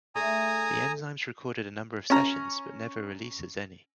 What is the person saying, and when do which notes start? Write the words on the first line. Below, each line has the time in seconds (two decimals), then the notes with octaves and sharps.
The Enzymes recorded a number of sessions but never releases any.
0.16 A3 D4 G#4 G#5 A#5 D#6
2.10 C#4 A#5